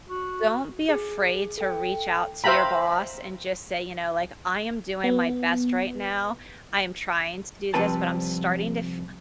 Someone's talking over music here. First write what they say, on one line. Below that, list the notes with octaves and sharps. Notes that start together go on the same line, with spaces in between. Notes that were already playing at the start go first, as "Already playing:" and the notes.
don't be afraid to reach out to your boss and just say, you know, like, "I am doing my best right now. I am trying to do this, but I'm starting to f
F#4
G#4
A4 G5
C5 E5 F5 G5 A#5 B5
B3
C2 F3 G3 C4 B4 A5